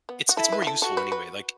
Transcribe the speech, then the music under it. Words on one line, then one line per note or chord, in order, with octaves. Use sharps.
It's it's more useful anyway, like
B3
F#4
E4 A4
B4
F#4
A4
F#4 A4
B4
B4